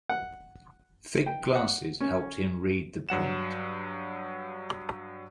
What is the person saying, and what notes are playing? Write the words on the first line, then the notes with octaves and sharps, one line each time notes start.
Thick glasses helped him read the print.
F#5
G5
F#5
C#4
G2 F#3 F#5 E7